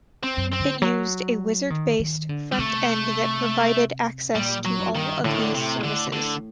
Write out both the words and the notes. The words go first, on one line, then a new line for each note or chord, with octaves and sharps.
It used a Wizard-based front-end that provided access to all of these services.
C4
F#2
C4
D3
F#3
D#3
D#3
D3
G3
C3 A3
A#2 G3
F#3
G2
D#3
A2 D3
D#3
D3
C3
D3
D3